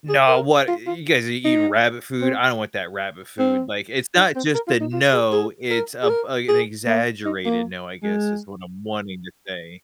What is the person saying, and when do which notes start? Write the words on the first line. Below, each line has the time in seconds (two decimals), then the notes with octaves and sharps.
"No, what? Y You guys are eating rabbit food? I don't want that rabbit food." Like, it's not just a "no." It's, uh, an exaggerated "no," I guess, is what I'm wanting to say.
0.09 G#4
0.28 A#4
0.68 F4
0.87 F4
1.45 D#4
2.22 C4
3.39 C4
4.16 D#4
4.36 C4
4.55 A#4
4.68 F4
4.80 D#4
4.93 F4
5.13 G#4
5.32 G#4
5.71 A#4
6.03 G#4
6.10 A#4
6.49 G#4
6.87 A#3
7.25 D#4
7.45 A#3
8.03 G#3